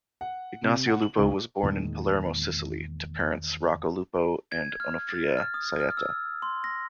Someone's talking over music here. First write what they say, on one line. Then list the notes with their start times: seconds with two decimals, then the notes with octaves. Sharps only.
Ignazio Lupo was born in Palermo, Sicily, to parents Rocco Lupo and Onofria Saietta.
0.21 F#5
0.63 C3
0.87 F#5
1.02 F#7
1.17 C#2
1.63 E2 A#2 D#3 G#3
4.52 G#6
4.80 F6
5.09 A6
5.37 F6
5.54 D#6
5.80 F6
5.97 E6
6.42 C6
6.64 A#6